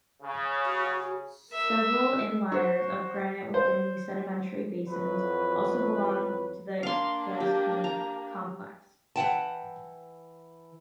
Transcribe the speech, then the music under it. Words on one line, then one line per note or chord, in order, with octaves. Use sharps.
Several inliers of granite within these sedimentary basins also belong to the Gascoyne Complex.
C#3
F#4
A#4 E5
F#4 C5
C5
F2 E3 F#3 F#4 B4
A#3 D4 F5 C6
G4
A#5
E3 F#5 G5 A5